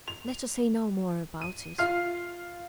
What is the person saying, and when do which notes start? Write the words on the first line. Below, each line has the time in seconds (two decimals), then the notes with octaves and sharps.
Let us say no more about it.
0.08 F7
1.41 D#7
1.78 F4 F6 C7